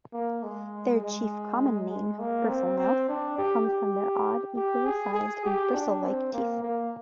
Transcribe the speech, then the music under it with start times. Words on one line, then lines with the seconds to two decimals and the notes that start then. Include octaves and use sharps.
Their chief common name, bristlemouth, comes from their odd, equally sized, and bristle-like teeth.
0.13 A#3
0.43 G#3
1.02 G#3
1.90 G#3
2.19 A#3
2.49 C4
2.78 C4
3.09 D4
3.38 G4
3.67 G4
4.56 G4
4.85 G#4
5.15 G#4
5.45 G4
5.74 D4
6.03 C4
6.34 A#3
6.63 A#3